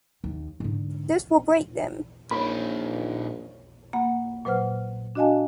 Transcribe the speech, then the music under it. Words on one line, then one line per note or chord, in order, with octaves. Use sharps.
This will break them.
D#2
G#2 D3
A#1 A#2 D#3 A#4 C#5 B5
A#3 F#5 B5
A#2 F#3 B4 C5 F#5 F6
D4 F#4 D#5 F5 G#5 A5